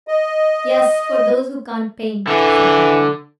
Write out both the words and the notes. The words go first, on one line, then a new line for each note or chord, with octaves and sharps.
"Yes, for those who can't paint," said Naumann.
D#5
D3 E3